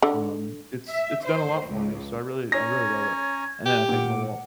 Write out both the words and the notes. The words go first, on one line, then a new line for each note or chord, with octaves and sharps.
um, it's it's done a lot for me, so I really I really love it, and then I take my walk.
D3
E5
C5
C#2
C#4 C#5 G#5 A#5 G#6 A#6
G4
A#2 F#5 D6